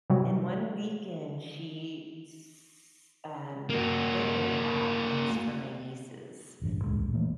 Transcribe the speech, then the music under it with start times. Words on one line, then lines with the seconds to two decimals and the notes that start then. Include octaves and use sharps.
and one weekend, she's um, went and bought things for my nieces
0.10 C3 F#3 G3
3.70 A#3 F#4
6.62 E1 A1 G2
6.84 C#2 A#2 C#3 G#3
7.14 E1 E3 A3 A#3